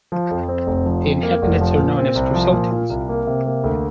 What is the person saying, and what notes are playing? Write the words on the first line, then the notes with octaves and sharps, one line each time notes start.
The inhabitants are known as Creusotins.
F3
F2
C4
F1
F3
F2
A#3
F1
F3
A#2
C4
C2
F3
A#2
F4
C2
A#3
C3
A#3
D2